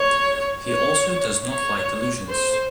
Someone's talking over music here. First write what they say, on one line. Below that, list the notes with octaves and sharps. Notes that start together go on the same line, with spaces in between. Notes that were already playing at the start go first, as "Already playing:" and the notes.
He also does not like illusions.
Already playing: C#5
C#5
C#5
C5